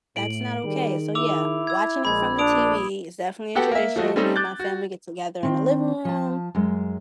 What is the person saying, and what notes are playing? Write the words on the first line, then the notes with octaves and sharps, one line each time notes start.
That's not okay, so yeah, watching it from the TV is definitely a tradition, me and my family get together in the living room
A2 D7 F#7
D#3 G3 G#4 A#4
E4 D6 E6 F7
E6 G#6
A#1 G#3 B5 G#6
D4 D#6 D7 F7
B3 F#4 G4 A4 F#5 G5
A#3 E5
F3 A3 F#4 D#5
G3 A3 C4 C#4 D#4 A4
D6 F#6 G6 A6
F#4
D#3 C4
F3 A5
F#2 G#3